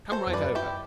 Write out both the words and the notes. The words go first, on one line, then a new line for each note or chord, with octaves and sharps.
Come right over.
A4 C5
E2
F#2 B4 D5
E4 G4